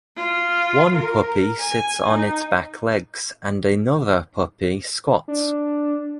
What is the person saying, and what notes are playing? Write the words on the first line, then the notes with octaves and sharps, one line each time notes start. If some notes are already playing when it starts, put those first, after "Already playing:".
One puppy sits on its back legs and another puppy squats.
F4
A#4
G#5
D#4
D4